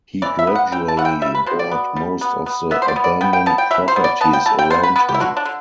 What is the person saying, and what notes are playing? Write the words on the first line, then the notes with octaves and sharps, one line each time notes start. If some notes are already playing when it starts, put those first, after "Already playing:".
He gradually bought most of the abandoned properties around him.
E3 D5
E5
B3
F#5
E3 G5
A5
E3 F#5
G5
G3 E5
B4
B2 C5
D5
B3
G3
B3
B3
B3 E5
C5
D5
B3
D5
B3 G5
G5
B3 A5
G5
E3 E5
C5
B3
D5
B3 A5
G5
E3 A5
G5
B3 C5
B4
B3 B4
G4
E4
D3 F#4
D4
D3